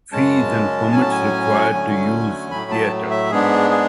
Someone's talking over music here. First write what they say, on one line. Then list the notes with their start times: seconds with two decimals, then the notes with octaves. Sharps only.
Fees and permits required to use the theater.
0.12 F#2 C#3 G#3 C#4 A5
0.92 A2 F#3 C#4 G#5
1.01 A5
1.11 G#5
1.72 D3 F#3 A3 C#4
2.51 A2 F#3 A3 B5
2.71 A5
3.11 E5
3.30 G#2 G#3 B3 D4 G#4
3.71 G#4